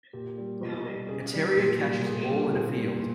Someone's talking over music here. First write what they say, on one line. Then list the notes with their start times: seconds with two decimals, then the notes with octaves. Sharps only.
A terrier catches a ball in a field.
0.13 A#2 G4
0.38 G3
0.62 B2
0.86 G3
1.09 C#3 G#4
1.34 G3
1.57 A#2
1.80 G3
2.05 A#2 G#4
2.29 G3
2.52 A#2 G#4
2.75 G3
2.99 A#2